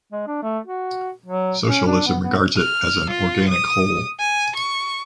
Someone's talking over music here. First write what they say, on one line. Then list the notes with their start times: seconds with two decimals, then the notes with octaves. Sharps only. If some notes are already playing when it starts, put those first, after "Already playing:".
Socialism regards it as an organic whole.
0.12 G#3
0.27 D4
0.43 A3
0.67 F#4
1.26 F#3
1.68 C#4
1.87 D4
2.07 B3
2.23 B3
2.58 F6
3.10 F4
3.48 D#6
4.20 G#5
4.56 C#6